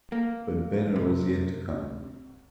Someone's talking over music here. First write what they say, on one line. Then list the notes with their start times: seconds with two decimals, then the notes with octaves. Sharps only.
But better was yet to come.
0.12 A#3
0.96 C3